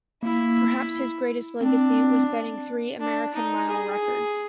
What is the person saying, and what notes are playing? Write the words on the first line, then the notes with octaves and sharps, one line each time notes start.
Perhaps his greatest legacy was setting three American mile records.
A#3 E4
C4 D4
D4
D#4
G#4